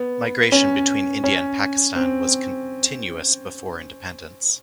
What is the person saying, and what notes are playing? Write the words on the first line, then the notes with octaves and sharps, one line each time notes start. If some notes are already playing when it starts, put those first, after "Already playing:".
Migration between India and Pakistan was continuous before independence.
Already playing: B3
C#4
C#4
C4